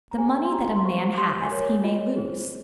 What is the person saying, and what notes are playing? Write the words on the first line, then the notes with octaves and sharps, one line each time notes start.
The money that a man has he may lose.
A#5
G#4 C5 G#5
C6
G4 A#5
C6
C5 C#6
G4 C6
G#5
A#4 C#5
C#5
F4 D#5
G#4 C5